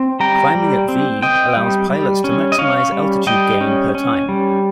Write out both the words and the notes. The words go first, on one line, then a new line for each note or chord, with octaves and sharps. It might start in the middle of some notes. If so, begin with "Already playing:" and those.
Climbing at V allows pilots to maximize altitude gain per time.
Already playing: C4
G3 G5 A#5
G3
C4
C4 D#5 G5
G3
G3
C#4
D#5
C#4 C#5 F5
G3
G3 D#5 G5
C#4
C#4
G3